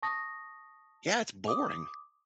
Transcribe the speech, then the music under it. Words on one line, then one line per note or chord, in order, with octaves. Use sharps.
Yeah, it's boring.
A5 C#6 D#6 A#6
D6 D#6